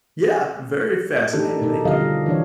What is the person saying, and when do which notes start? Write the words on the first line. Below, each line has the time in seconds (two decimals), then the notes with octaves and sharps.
Yeah, very fascinating. Thank you.
1.33 D#3 D4 D#4 G4 A4
1.61 B2 D#4 A4
1.85 D3 F3 G3 G4 D#5 F5
2.26 E3 D4 C#5